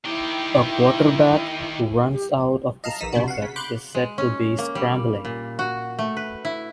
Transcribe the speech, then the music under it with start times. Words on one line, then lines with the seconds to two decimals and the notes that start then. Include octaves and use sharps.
A quarterback who runs out of this pocket is said to be scrambling.
0.05 D#3 E4 G4
2.12 G4
2.84 D#5 F5 A5 A#5
2.99 A#1 E3 D#4 B6 E7
3.12 C3 B3 D4 F#4
3.28 F5 F#5
3.42 C#3 B6
3.56 B5 C6 D6 F#6 G6
3.95 G#3
4.18 C#4
4.58 A#3
4.75 G3
5.25 A#2
5.59 F#4
5.99 A3
6.16 B4
6.45 E4